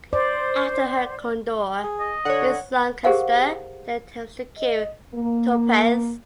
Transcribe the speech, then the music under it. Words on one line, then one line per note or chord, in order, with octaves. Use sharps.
After her candour, Mrs. Lancaster then attempts to kill Tuppence.
C5 D5
G#4
D#5
D3 C#5 F#5
G4 G#4 A#4 C5 F5 F#5
D#5
A#3